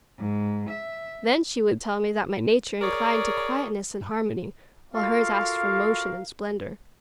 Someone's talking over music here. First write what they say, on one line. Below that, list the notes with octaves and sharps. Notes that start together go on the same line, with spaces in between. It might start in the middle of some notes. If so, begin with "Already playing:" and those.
Then she would tell me that my nature inclined to quietness and harmony, while hers asked for motion and splendor.
G#2
E5
G#4 A#4 C#5 D5
F4 F#4 A4 A#4 F5